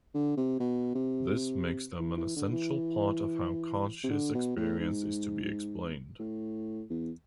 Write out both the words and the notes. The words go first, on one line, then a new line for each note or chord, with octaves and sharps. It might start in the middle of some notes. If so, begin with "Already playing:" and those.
This makes them an essential part of how conscious experience is to be explained.
D3
C3
B2
C3
E3
E3
D3
E3
C3
D3
B2
A2
G#2
A2
E2